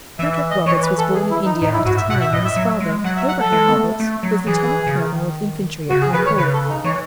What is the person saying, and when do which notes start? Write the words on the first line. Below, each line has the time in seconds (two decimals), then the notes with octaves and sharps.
Frederick Roberts was born in India at a time when his father, Abraham Roberts, was lieutenant colonel of infantry at Cawnpore.
0.19 E3 E5
0.35 E5
0.51 D#5
0.66 E3 C#5
0.82 B4
0.98 A4
1.14 G#4
1.30 E4
1.45 D#4
1.62 A2 D#4
1.73 E4
1.85 G#2 F#4
1.97 E5
2.09 B2 F#5
2.21 E5
2.33 A2 D#5
2.45 E5
2.56 F#3
2.80 G#3
3.04 F#3 F#5
3.16 E5
3.28 F#5
3.40 A4
3.52 G#3
3.68 B3
3.75 A3
4.00 A3
4.23 F#3
4.47 E3 G#4
4.87 C#3
4.95 D#3
5.89 C#3 F#4
6.02 G#4
6.13 D#3 B4
6.26 C#5
6.38 C#3 B4
6.53 A4
6.69 D#4
6.84 E3 C#5